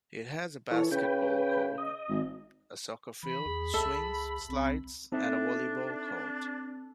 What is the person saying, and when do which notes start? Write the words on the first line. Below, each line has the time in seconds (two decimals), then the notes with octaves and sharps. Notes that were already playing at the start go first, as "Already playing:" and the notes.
It has a basketball court, a soccer field, swings, slides, and a volleyball court.
0.71 E3 A4 C#5
0.91 C#3 B4 G5
1.78 D#5
2.09 G#1
3.23 E3 B5
3.45 E2 G#4
3.74 C#2 A4 E5
4.49 C2 C4
5.12 C4 D4 D#4 A4 E5